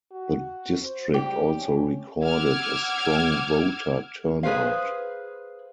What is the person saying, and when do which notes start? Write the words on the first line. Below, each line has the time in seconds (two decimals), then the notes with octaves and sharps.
The district also recorded a strong voter turnout.
0.11 F#4
0.83 C5
1.14 G3 G4
1.57 C#4
2.24 F#5 D6 E6 F6 G#6
4.43 G#4 B4 C5 F5